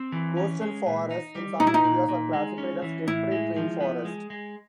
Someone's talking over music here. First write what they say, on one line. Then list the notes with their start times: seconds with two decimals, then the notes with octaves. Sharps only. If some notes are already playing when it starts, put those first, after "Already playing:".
Coastal forests in some areas are classified as temperate rain forest.
Already playing: C4
0.12 E3
0.37 C#4
0.62 G#3
0.86 A#2
1.11 D#4
1.35 G3
1.59 A#2 D#4
1.67 E4
1.74 D#4
1.84 A#2
2.09 A#2
2.33 G#3
2.58 C#4
2.82 E3
3.07 A2 E4
3.32 G#3
3.56 F3
3.81 B3
4.05 G#3
4.30 G#3